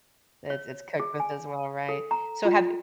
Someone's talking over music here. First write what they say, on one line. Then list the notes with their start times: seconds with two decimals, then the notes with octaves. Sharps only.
It's it's cooked with as well, right? So have y
0.50 C#5
1.00 G#4
1.20 G#5
1.89 A4
2.11 A#5
2.45 F4